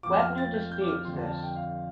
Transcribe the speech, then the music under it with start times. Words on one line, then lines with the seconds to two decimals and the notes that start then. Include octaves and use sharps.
Wepner disputes this.
0.03 F2 F3 C4 F4 D6
0.20 F6
0.38 A6
0.54 G6
0.72 G6
0.81 D6
0.88 F6
1.05 F2 D3 F3 C6
1.19 A5
1.30 A5
1.43 G5
1.56 F5